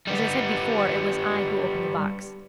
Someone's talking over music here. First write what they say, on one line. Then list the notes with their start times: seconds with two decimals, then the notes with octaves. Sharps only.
As I said before, it was I who opened the box.'
0.07 G3 B3